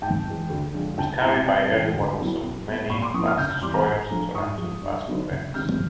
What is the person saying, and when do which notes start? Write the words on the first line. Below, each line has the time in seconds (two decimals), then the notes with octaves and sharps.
It was carried by early-model "Sovremenny"-class destroyers and "Tarantul"-class corvettes.
0.02 G#2 G5 A5
0.26 E3 G#3
0.49 D2
0.74 D3 F3 G#3
0.98 C#2 G5 A5
1.21 B2 G#3 C4 E4 G#5 A#5
1.46 C3 G5 A5
1.70 E3 G#3 C#4 E4
1.94 D2
2.18 C#3 F#3 B3 E4
2.42 B2
2.66 G3 B3
2.90 A#2 B5 C#6
3.02 C6 D6
3.14 F3 A#3 C#4 E4 C#6 D#6
3.27 D#6 F6
3.38 C#2 F6 G6
3.50 F6 G6
3.62 C3 E3 G3 C6 D6
3.74 G#5 A#5
3.86 A2
4.11 F3 A3 D4
4.34 G#2 C#6 D#6
4.58 F3 G#3
4.82 G2
5.06 D3 F#3 B3 D#4
5.31 C#2
5.54 C3 D#3 G#3 C4 F6 G6